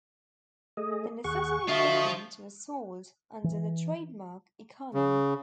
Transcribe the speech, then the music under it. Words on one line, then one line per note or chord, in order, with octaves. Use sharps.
The necessary equipment was sold under the trademark "Econom".
A3 G#4 D#5
D#2 G#4 F#5 C#6
D3 F3 F4 F#4 D#5 E5
E3
C#3